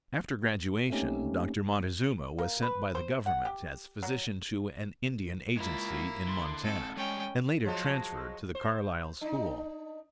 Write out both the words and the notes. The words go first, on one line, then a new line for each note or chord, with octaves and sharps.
After graduation Dr. Montezuma was sent by the Government as physician to an Indian agency in Montana, and later transferred to the Carlisle school.
A3 A#3 C4 C#4 D#4 G4
A#3
B4
C5
F#5
G4
F#3
G#3 A#3 E4 F4
D3 C6
G#3 C4 A4
G3 G#3 C#4 G5
F3 F#3 G#3
C5
D4 D#4